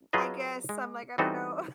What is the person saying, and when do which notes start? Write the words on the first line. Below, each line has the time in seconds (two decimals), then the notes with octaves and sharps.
I guess I'm, like, I don't know,
0.13 F#3 F4 G#4 B4 D#5
0.69 G#3
1.18 E3 G3 C4 D#4 F#4 A4